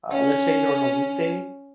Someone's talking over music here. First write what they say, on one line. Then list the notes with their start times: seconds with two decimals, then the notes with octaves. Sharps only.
uh, let's say during a weekday,
0.12 C#4